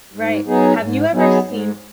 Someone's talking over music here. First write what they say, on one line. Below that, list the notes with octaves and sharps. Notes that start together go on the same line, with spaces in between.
Right, have you ever seen
G#2
F#3 B3 D#4 G#4
G#2
F#3 B3 D#4 G#4
G#2